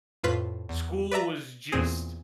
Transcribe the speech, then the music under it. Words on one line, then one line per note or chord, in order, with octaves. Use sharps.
School was just
F2 A2 F4 B4 B6
E2
B4 D5 E5 A#5
E2 A#2 C4 G#4